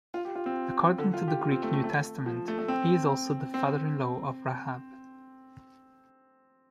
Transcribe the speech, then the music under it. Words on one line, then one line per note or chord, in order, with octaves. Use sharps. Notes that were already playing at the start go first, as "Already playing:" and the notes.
According to the Greek New Testament, he is also the father-in-law of Rahab.
F4
G4
F4
C4
D3
F4
G4
F4
C4
A3
A3
A3
F3
A3
A3
C4
C4